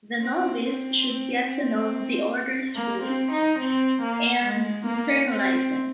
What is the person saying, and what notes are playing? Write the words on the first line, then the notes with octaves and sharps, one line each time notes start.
The novice should get to know the order’s rules and internalize them.
C4
C4
C4
A#3
C4
D#4
C4
A#3
G#3
A#3
C4